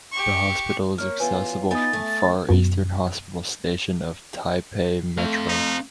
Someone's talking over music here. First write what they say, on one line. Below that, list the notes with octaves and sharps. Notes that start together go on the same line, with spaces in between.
The hospital is accessible from Far Eastern Hospital Station of Taipei Metro.
G4 C#6
A#3 C#5 F6
E2 C#4 F4 B4 G#5
B3 D#4 F4 G#5 D#6 A6
A3
F#2 B2
A3 C4 F5
D#4